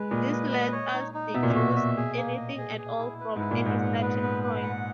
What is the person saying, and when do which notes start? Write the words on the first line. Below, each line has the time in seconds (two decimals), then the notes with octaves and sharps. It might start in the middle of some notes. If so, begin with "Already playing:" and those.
This lets us deduce anything at all from any starting point.
Already playing: G#3 B4
0.10 A#2 D#5
0.32 B4
0.52 D#5
0.72 C#5
0.93 D#4
1.14 D#4
1.34 B2 E5
1.43 A#2
1.50 B2
1.55 F#4
1.76 E5
1.97 G#4
2.17 A#3
2.37 D#5
2.58 G#4
2.78 G#4
2.99 E4
3.20 B4
3.36 G#2
3.40 E4
3.51 A#2
3.61 G#2 F#5
3.81 B3
4.02 B4
4.22 B3
4.44 B4
4.63 F#5